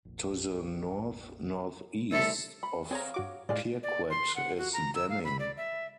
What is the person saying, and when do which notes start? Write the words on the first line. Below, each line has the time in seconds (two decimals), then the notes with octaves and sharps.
To the north-northeast of Pirquet is Denning.
0.05 F1 A#1
2.12 C2 A2 A4 E5
2.63 B5
2.91 C4 G#4 C#5 F5 A#5
3.14 G2 F#4 D6
3.49 A2 C3 G#3 D5 F5
3.83 D5
4.10 C6
4.36 F#5
4.58 F#4
4.73 A#5
4.95 E6
5.09 F5
5.24 B5
5.39 D5
5.57 E5